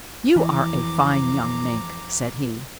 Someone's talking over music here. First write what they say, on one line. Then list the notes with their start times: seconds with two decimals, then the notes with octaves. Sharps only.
"You are a fine young Mink," said he.
0.36 F2 E3 A#5 D6